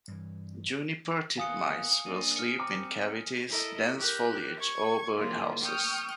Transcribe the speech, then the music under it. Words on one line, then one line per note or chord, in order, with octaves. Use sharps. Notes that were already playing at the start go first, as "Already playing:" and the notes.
Juniper titmice will sleep in cavities, dense foliage, or birdhouses.
G2 E3
D#3 A#3 B3 F5 G#5 D#6 C#7
A#3 D4 D#7
F6 C#7
C4 A#5 D6
E4 A4 A#4 D#5
G4 A#4 F#6 G6
C#6 G#6
D3 A#3 E4 F4 G#4
G5 C#6 D#6 F6 G6